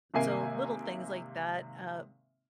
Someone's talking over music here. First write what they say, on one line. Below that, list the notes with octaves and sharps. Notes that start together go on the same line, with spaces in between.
so, little things like that, uh,
G#1 C3 A#3 E5 G#5 C7